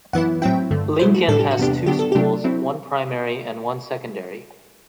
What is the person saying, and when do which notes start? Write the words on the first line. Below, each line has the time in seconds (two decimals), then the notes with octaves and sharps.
Lincoln has two schools, one primary and one secondary.
0.13 F#2 E3 B3 E4 F#5
0.42 A2 F#3 C4 E4 G5
0.71 G2 D3 A3
0.99 B2 F#3 A3 E4 C5
1.14 F#4
1.28 A2 G3 D4 A4
1.40 G4
1.51 F#4
1.58 E2 C3 G3 B3 D4 G4
1.86 D3 F#3 B3 D4 G4
1.99 A4
2.12 C3 F#3 A3 D4 G4
2.44 F#3 C4 E4